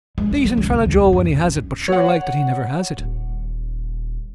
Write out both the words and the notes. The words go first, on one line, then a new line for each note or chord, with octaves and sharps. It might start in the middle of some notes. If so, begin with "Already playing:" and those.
Decent fellow Joe when he has it but sure like that he never has it.
G#3
G3
F#3
C#2
C2
D#2
D1
F#2
B1
C#4
C#5 F#5
D#1